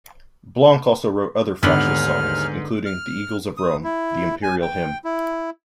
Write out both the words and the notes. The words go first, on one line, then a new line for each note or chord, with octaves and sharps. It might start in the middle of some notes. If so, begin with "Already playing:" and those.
Blanc also wrote other Fascist songs, including "The Eagles of Rome", the Imperial Hymn.
D#2 G#2 D3 B3 F6 F#7
F6
D#6
E4
G#5
G5
E4